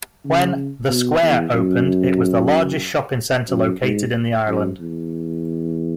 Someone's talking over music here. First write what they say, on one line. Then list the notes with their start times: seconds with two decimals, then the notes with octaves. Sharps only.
When The Square opened it was the largest shopping centre located in the Ireland.
0.24 C#3
0.88 B2
1.22 E2
1.54 F#2
3.49 F#2
3.82 G#2
4.47 F#2
4.79 E2